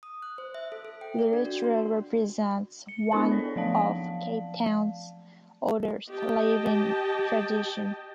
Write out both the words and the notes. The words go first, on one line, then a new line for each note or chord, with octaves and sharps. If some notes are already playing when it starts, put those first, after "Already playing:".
The ritual represents one of Cape Town's oldest living traditions.
D#6
F#6
C5
E5
A4
A4
G5
D5
D4
F#4
C6
C#7
B3 D4 E4 A4 C5 A5
C#5 D5
F3 F#3 A3 D5 F5 A5
G4 D#5 G5 A5